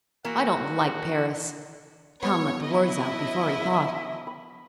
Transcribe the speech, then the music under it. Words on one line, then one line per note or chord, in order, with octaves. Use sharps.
"I don't like Paris." Tom let the words out before he thought.
E3 A#3 F#4 A#4
B3 C#5
E4 D#5
E5
B5